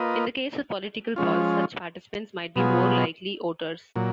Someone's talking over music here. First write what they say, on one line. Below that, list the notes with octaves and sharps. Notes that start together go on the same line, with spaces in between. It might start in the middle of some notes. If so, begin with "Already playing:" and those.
In the case of political polls, such participants might be more likely voters.
Already playing: A#3 F4 B4 D#5
F3 G#3 C#4 F4
B2 F#3 B3 F4 G#4
A#2 F#3